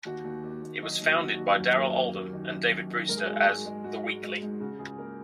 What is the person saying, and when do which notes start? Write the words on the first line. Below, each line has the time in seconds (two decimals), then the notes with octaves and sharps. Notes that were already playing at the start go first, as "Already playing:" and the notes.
It was founded by Darrell Oldham and David Brewster as "The Weekly".
0.05 D#2 F#4
0.24 D#2
0.44 D#2
0.62 D#2
0.82 F#3 D#4
1.01 D#2
1.07 F#4
1.20 F#3
1.32 F#4
1.38 D#2
1.58 F#2 F#4
1.77 A#3
1.96 F#3
2.14 A#3
2.33 D#3
2.52 F#2
2.71 F#2
2.90 D#3
3.09 G#2 A#4
3.17 G#4
3.25 F#4
3.29 G#3
3.34 G#4
3.47 G#2
3.65 G#3
3.84 G#2 F#4
4.04 G#3
4.23 G#3
4.42 G#2
4.60 C#3 F#4
4.79 C#2 G#4
4.98 A#3 A#4